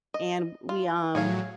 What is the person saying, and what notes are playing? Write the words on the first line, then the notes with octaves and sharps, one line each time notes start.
and we, um,
D#5
F4
A2 F#3 G#4 C#5 F5